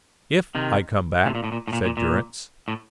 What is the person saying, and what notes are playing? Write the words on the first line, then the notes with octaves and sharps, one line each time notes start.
"If I come back," said Durrance.
C3 D#3
A2 C3
A#2
A2
A#2
A2
A#2
A#2
A#2
A2